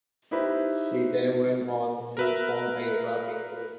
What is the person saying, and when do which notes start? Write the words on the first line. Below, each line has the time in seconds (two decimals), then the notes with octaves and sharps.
She then went on to form a rapping group.
0.31 D#4 E4 G4 B4 C5
2.17 A#4 B4 E5